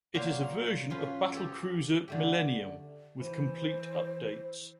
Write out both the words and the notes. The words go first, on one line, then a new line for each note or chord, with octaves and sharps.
It is a version of "Battlecruiser Millennium" with complete updates.
A#2 F#3 A#3 F#4 C5 A#5
F3 C#4 F4 B4
G4 A4 C#5
D3 A3 G4
E3 C5